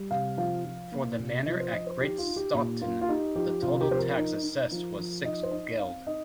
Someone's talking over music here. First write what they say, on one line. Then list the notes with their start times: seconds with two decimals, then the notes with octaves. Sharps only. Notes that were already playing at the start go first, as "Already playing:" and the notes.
For the manor at Great Staughton the total tax assessed was six geld.
Already playing: G3
0.11 C3 F5
0.37 F3 F5
0.65 F3
0.92 A#3
1.19 C3
1.46 F3 D#5
1.60 C5
1.73 F3 D#5
1.86 C5
2.00 D#4 G4
2.18 F4
2.27 D#4
2.36 G4
2.54 A#2 G4
2.81 A#3 F4
3.01 F4
3.09 D#4 G4
3.35 F3 G4
3.62 C3 F4
3.81 G4
3.90 F3 C5
3.99 A#4
4.17 D#4
4.43 D#4
4.71 F3
4.98 F3
5.25 D#4 D#5
5.43 C5
5.52 D#4 D#5
5.79 C4 F5
6.07 D#4 D#5